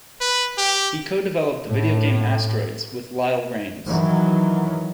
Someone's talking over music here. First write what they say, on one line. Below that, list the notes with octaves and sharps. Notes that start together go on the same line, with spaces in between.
He co-developed the video game "Asteroids" with Lyle Rains.
B4
G4
A2
D#3 E3 F#3